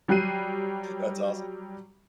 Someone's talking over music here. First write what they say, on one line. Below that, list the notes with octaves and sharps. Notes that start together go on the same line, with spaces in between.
that's awesome.
F#3 G3 G5 F#6 C7 D#7